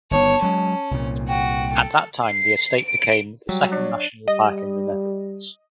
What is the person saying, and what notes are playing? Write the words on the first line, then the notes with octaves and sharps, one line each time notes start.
At that time the estate became the second national park in the Netherlands.
G1 D#3 B3 C#5 A5
F#3 G#3 C#4
C2 A#2
F#4 G5
A4
C7
D7
F#3 G3 G5
D4 C#5
G3 D#5